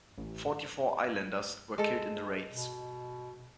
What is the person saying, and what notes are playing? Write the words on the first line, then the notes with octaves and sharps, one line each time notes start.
Forty-four islanders were killed in the raids.
A1
G#3 A4
B2